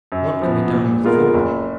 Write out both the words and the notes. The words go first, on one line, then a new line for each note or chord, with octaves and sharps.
"What can be done with four?"
F#2
F3 B3
A#2
G#3 B3 F4 A#4
F#1